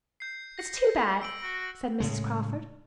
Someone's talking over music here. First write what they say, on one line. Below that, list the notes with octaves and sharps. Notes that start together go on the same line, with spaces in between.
"It's too bad," said Mrs. Crawford.
G6 C7
A#6 C#7
E6 D7 F#7
F#4 D7
A2 C#3 G#3